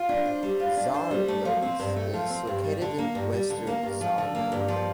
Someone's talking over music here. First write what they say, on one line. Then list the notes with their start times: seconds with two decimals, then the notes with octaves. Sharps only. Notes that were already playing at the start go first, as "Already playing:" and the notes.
Saarlouis is located in western Saarland.
Already playing: F4
0.09 D4
0.26 C5
0.43 G3
0.60 F4
0.77 D4
0.94 C5
1.11 G3
1.28 A3
1.45 F3
1.62 C4
1.79 G2
1.96 A3
2.14 F3
2.30 C4
2.47 G2
2.64 G3
2.82 D3
2.98 A#3
3.15 G2
3.33 G3
3.50 D3
3.67 A#3
3.83 G2
4.01 F3
4.18 D3
4.35 A#3
4.52 G2
4.68 F3